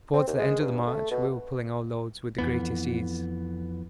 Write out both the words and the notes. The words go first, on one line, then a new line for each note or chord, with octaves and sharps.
Towards the end of the march we were pulling our loads with the greatest ease.
C4
D#2
G#3
G2
A3
B2
F2 E3 B3